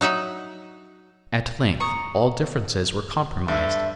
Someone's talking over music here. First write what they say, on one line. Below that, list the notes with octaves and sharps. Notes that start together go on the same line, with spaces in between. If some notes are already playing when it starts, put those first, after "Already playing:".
At length all differences were compromised.
F#3 D#4 E5 F#5
A#5 C#6 D#6
G2 A4 E5